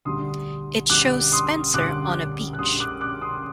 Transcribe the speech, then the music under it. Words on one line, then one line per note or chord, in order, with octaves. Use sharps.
It shows Spencer on a beach.
D2 D3 G3 C6 D#6
D2 D3 G3 D6 F#6
C6 D#6
D2 D3 G3 D6 F#6
F#6
D2 D3 G3 C6 D#6
D6 F#6
D6 F#6
C6 D#6